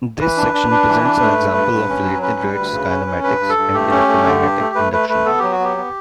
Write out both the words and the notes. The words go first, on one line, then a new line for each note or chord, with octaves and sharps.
This section presents an example of related rates kinematics and electromagnetic induction.
E3 B4
D4
D4
D4
E3
D4
A3
G2
G2
G2
C#4
F#3
C#4 B4
G3
D2
C#3
C#4
C#4
G2 B4
G2
A4
G2
A3 G4
C#4
A3
D3
G2
A3
A3 B4
A3 B4
A3 B4
B3 A4
F#3 G4
F#4
B3
G4
B3